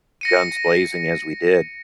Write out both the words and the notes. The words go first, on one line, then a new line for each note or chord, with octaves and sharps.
guns blazing as we did,
A#6 C#7 D#7